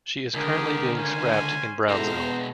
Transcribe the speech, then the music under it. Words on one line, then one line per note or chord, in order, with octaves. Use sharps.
She is currently being scrapped in Brownsville.
C#2 D3 G4 G#4 A#4
C#4 C5 G#5
G#2 B2 G#3 E4 A4 C5 A#5
B3